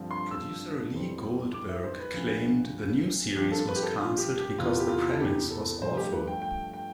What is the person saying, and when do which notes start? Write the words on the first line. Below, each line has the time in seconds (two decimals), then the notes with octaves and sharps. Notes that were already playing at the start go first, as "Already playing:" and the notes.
Producer Lee Goldberg claimed the new series was canceled because the premise was awful.
Already playing: G2 D3 F3 C4
0.11 C6
0.31 E6
0.92 F2 E3 G3 C4
1.53 D6
1.69 E5
1.83 C5
1.99 B4
2.14 D2 D3 F3
3.36 G2 F3 C4 G4
3.52 A4
3.67 B4
3.76 G4
3.83 A4
3.98 F4
4.18 G4
4.39 G4
4.58 E2 C3 E3 B3 F4
4.80 G4
4.89 F4
5.12 A4
5.20 G4
5.50 A4
5.82 G2 F3 A3 C5
5.97 G4
6.11 B4
6.28 G5
6.42 G5
6.73 G5